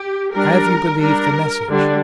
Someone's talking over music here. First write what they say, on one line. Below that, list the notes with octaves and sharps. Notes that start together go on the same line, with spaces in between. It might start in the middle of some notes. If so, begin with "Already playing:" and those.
Have you believed the message?
Already playing: G4
G3 D4 A#4
G3 D4 A#4
D3 G3 D4